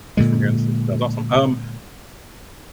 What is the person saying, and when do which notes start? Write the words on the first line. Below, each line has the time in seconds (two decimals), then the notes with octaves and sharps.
He's from here in the states. That's awesome. Um,
0.17 A#2 D3 G#3